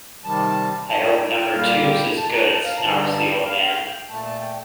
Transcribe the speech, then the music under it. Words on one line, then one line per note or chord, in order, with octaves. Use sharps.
"I hope number two's as good" snarls the old man.
C3 D#3 G3 A5
A5
G5
G5
G5
A#2 G3 A#3 F5
G5
A5
A#5
A5
F5
A#5
G2 D3 G3 A5
A#5
A5
G5
F5
F5
G5
A#2 A3 A5
A5
G5